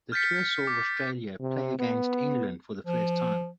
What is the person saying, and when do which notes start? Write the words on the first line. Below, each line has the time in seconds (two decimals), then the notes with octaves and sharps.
The tour saw Australia play against England for the first time.
0.12 F6 G6 A6 B6 C#7
0.67 D6
1.39 C3
1.79 B3
2.87 F3